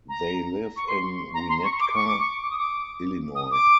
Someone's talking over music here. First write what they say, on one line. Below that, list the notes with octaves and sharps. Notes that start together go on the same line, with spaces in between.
They live in Winnetka, Illinois.
A#5
C#6
C6
A#5
C6
C#6
D6
C#6
D6
C#6
D6
D#6
D6
D#6
D6